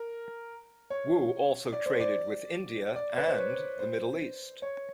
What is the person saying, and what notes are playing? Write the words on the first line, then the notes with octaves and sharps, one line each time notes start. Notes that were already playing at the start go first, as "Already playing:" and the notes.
Wu also traded with India and the Middle East.
Already playing: A#4
C#5
D5
C5
D5
D5
B4
C5
C#5
C5
C#5